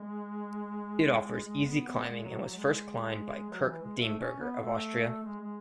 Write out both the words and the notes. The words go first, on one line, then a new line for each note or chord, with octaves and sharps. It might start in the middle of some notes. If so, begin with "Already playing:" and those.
It offers easy climbing and was first climbed by Kurt Diemberger of Austria.
Already playing: G#3
G#3
B3
B3
G#3
F#3
F#3
G#3
G#3
F#3
E3
G#3
A3
C#4
B3
A3
G#3
G#3